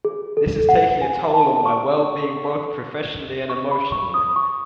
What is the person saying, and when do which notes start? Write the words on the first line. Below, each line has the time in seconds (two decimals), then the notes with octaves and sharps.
This is taking a toll on my well-being both professionally and emotionally.
0.05 G#4
0.37 A4
0.69 F#5
1.02 G#5
1.34 A5
1.66 C#6
3.50 C#6
3.71 B5
3.92 C#6
4.14 D#6
4.36 C#6